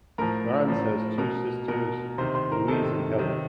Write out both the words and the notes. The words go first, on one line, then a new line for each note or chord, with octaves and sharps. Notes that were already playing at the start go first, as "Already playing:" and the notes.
Kranz has two sisters, Louise and Helen.
A2 F3 A#4 A#5
A2 F3
B2 A#4 A#5
B2 A#4 A#5
C3 D#3 C5 C6
C5 C6
A#4 A#5
C3 D#3 A4 A5
C3 D#3